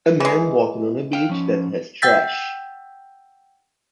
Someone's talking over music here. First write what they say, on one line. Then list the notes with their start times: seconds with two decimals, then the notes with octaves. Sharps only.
A man walking on a beach that has trash.
0.20 E3 G#3
1.13 F5 G5
1.29 F3 C#4
2.02 F#5 G5 E6 G6 A6 B6